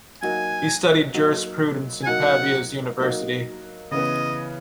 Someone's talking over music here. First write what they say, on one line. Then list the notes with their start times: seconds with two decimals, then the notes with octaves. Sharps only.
He studied jurisprudence in Pavia's university.
0.22 F#3 A#3 D#4 F#4 G#5
1.14 F#3 A#3 D#4 F#4
2.03 G#5
2.06 F#3 A#3 D#4 F#4 F#5
2.99 F#3 A#3 D#4 F#4
3.91 C#3 E3 B3 D#5